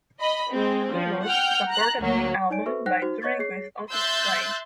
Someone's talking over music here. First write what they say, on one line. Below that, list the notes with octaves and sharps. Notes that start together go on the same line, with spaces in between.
Peebles supported the album by touring with Otis Clay.
D#5 B5
G#3 C4
F3
F#5 G5 F6 G6
A#5 F#6
D2 F#3 A#3
D#4 C#5 D5 G#5 D7
F#4 A4 B4 C5 E5 C#6
D#4 C5 F#5 G5 F#6 A#6
D#4 F#4 C5
C#5 D#5 C#6 G#6 A6
G#4 C#5 C7
E5 C6 E6 F#6 G6 A6